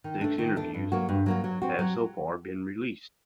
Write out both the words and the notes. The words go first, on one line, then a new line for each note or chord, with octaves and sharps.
Six interviews have so far been released.
D#3
A3 D4
D#3
A3 D4
G2
F#3 A#3 F#4
G2
F#3 A#3 F#4
F#3
C4 F#4
F#3